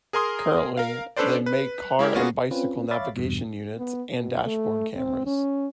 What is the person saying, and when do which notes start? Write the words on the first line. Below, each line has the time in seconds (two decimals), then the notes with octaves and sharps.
Currently they make Car and Bicycle Navigation Units and Dashboard Cameras.
0.13 G#4 A#4 G#5 C6 D#6
0.77 A#4 F5
1.16 C#4 D4 A4 B4 C5 D5
1.46 B4
1.99 G#3 E4 G4 A#4
2.14 A#3 B3 C#4 F4 F#4 G#4
2.51 C4 C#4 F4 B4
2.91 C#5 E5 F5 B5 D6 A6
3.16 E2 G2 B2
3.78 B3
4.13 B2
4.44 A3
4.96 C4
5.26 C#4